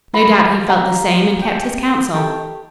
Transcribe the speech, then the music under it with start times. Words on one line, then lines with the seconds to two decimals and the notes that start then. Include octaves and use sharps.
No doubt he felt the same and kept his counsel.
0.14 F4 D#5 F5 B5
0.67 G4 F5 F#5 A#5
1.42 G4
2.14 G4 A4